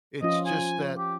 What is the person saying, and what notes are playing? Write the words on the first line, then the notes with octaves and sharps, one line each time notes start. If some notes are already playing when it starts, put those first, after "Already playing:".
It's just that
F3 C#4 F4 D#5
G#5
G4